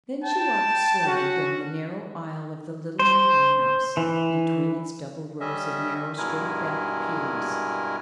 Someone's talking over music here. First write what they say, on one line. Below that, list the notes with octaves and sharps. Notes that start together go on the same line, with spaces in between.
Then she walked slowly down the narrow aisle of the little meeting-house, between its double rows of narrow straight-backed pews.
G5 A5
C#4 F#4
C5
E3
G3 C#4 D#5 E5
G2 B2 G#3 E4 A#4 G#5